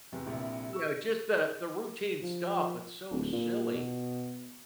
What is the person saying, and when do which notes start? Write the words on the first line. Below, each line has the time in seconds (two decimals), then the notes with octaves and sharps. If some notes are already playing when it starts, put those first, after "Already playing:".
you know, just the the routine stuff, it's so silly.
0.12 E2 C3 E3
0.26 A#1 C3 E4
0.73 C#6 E6
2.23 F3
3.11 D1
3.32 A#2
3.74 B2